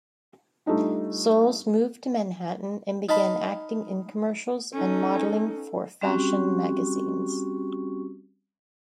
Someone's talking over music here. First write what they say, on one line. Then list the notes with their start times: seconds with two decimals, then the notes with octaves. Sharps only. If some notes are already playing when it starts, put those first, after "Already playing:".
Soles moved to Manhattan and began acting in commercials and modeling for fashion magazines.
0.66 G3 A3 D4 D#4 F4
3.09 D#4 F5 A5 B5
4.73 C#4 D#4 A4
6.01 G3 C4 C#4 F#4 G4 C#6